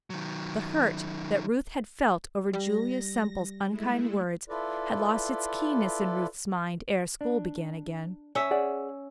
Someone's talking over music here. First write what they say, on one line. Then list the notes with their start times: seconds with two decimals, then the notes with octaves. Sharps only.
The hurt that Ruth had felt over Julia Semple's unkind words had lost its keenness in Ruth's mind ere school began again.
0.10 D#3 F#3
2.53 G3 A#6
3.67 G#3 A3 E4
4.49 E4 F4 A4 B4 D5
7.21 D4
8.35 C#4 E5
8.51 G#4 D5 F#5